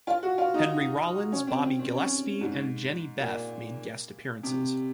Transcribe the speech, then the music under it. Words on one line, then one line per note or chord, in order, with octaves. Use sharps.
Henry Rollins, Bobby Gillespie and Jehnny Beth made guest appearances.
F4
F#4
F4
D#4
C#4
C4
C4
C4
C#4
G#2
A#2
C3